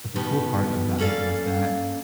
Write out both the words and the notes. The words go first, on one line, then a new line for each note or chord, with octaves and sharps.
But the cool part about it was that,
B2 D#3 B3 F#4 G4
A#3 C#4 A4 D5 F5